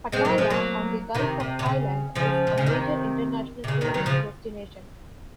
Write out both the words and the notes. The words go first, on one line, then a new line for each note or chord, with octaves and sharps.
Pattaya, on the Gulf of Thailand, is a major international tourist destination.
G#3 C4
F#3 A#3
F3 G#3
F#3 A#3
C3 D#3
C3
C3
C#3
C#3 F3
C3
C#3
C3 D#3
C3
C#3
C3 D#3
D#3 F#3
C#3 F3